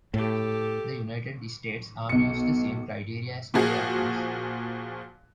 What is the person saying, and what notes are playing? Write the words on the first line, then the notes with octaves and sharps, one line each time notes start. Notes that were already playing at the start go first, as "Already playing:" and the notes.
The United States Army used the same criteria as the Air Force.
A2 G4 A4
B1 C#7
A#2 F3 F#4 G#4